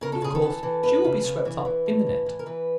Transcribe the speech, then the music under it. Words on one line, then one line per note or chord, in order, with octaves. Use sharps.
But, of course, she will be swept up in the net.
C#3 A#4
A4
C#3 G#4
A4
E3
E3
E2 B4
C#3
C#3
E3
E3
A2
E3
E3
A#4
E3 B4